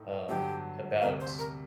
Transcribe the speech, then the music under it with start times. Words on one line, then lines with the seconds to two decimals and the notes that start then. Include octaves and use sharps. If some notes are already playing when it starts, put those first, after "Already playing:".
um, about
Already playing: A2 A3 D#4
0.29 G2 D3 F#3 G4
1.02 D2 C3 G3 A#4
1.20 C5
1.38 A#4